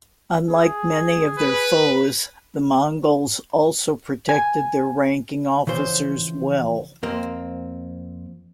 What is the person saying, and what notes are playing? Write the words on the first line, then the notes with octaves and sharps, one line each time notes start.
Unlike many of their foes, the Mongols also protected their ranking officers well.
G#4
B4
G#5
C#3 E3 F3 C5
F2 A#3 C4